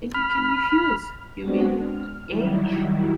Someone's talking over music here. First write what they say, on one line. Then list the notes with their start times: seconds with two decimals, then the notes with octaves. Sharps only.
And you can refuse, you mean, eh?
0.14 B5 F6
1.42 G#3 B3 C4 D4 F#4
1.80 F6
2.26 D#3 F#3 G3 E4